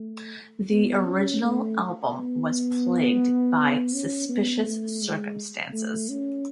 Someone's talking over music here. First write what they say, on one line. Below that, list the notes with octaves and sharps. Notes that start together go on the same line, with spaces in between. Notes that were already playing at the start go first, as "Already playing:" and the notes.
The original album was plagued by suspicious circumstances.
Already playing: A3
B3
C#4
A3
B3
C#4
B3
A3
G#3
A3
C#4